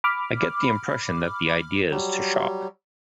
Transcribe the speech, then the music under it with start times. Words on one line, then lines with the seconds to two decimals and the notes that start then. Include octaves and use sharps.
I get the impression that the idea is to shock.
0.04 B5 D6 F6
1.90 F#3 G3